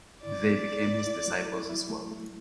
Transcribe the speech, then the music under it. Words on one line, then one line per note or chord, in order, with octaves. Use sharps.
They became his disciples as well.
E4 D5
E4
A3
A3
E4
F#3
E4
E4
A3
A3